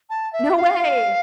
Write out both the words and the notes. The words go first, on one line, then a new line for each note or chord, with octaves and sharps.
No way.
A5
E5
F5